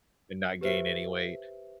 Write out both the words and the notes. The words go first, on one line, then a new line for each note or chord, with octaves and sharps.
and not gain any weight.
G4 B4 C5 E5